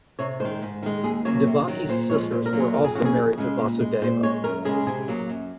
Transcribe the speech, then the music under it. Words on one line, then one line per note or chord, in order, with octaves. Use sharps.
Devaki's sisters were also married to Vasudeva.
C3 C#5
D#3 G#3 C5
G#2
D#3 G#3
D#2 G#4
C#3 F#3 A#3 C#5
C3
D#3 F#3
A#2 C5
F3 G#3 C#5
A#2 C5
A#4
F#3 A#3
G#4
F2 A#4
G#4
C#3 F#3 A#3 F#4
G#4
F2
C#3 G#3
A#2
G#3
A#2 C5
G#3 C#5
F#2 A#4
C#3 G#3 G#4
C3 G#4
F#3 A#3
F#2